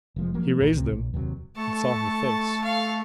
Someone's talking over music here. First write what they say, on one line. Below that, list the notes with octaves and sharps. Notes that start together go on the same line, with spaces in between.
He raised them, and saw her face.
F1 F3 G#3
F3 F#3 A#3
D1 A1 D2 A#2
C#2 C3
A#1
D#2 C3 F#3
A3 A4 A5 C#6
F5